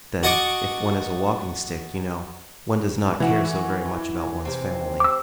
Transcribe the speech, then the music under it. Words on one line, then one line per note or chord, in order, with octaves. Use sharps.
But then, if one is a Walking-Stick, you know, one does not care so very much about one's family.
F#4 A4 D#5 A5 C#6 D6
E3 E4 F#4
C3 C4
D6 E6